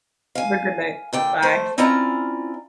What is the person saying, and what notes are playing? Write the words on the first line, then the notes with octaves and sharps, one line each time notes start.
Have a good night. Bye.
F5 G#5
A#2 D3 G5
A3 C5
C4 C#4 E4 F4 D5 A#5